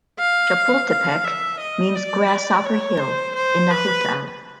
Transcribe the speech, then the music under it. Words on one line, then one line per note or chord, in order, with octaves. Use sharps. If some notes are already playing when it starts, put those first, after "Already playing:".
Chapultepec means "grasshopper hill" in Nahuatl.
F5
F5
E5
D#5
D5
C#5
C5
C5
B4